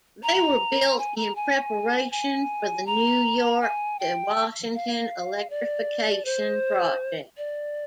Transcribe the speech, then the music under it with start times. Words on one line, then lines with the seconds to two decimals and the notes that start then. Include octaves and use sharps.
They were built in preparation for the New York to Washington Electrification project.
0.23 A#5
0.99 G#5
1.17 A#5
1.35 G#5
2.11 G#5
2.86 A#5
3.61 G#5
3.99 G5
4.75 F5
5.50 D5
6.25 C5
7.37 D5